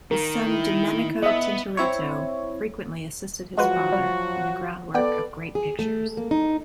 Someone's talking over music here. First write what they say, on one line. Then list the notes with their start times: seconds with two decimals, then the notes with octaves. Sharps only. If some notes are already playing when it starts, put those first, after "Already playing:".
His son Domenico Tintoretto frequently assisted his father in the groundwork of great pictures.
0.11 D#3 A#4
0.45 E4
1.23 B3 D#5 E5
1.77 C4 E4 C#5
3.58 F3 F#3 G#3 F4 F#4 B4
3.92 G3
4.94 B3 A4 B4 D5 G5
5.55 G#4
5.79 A3
6.17 A#3
6.31 D#4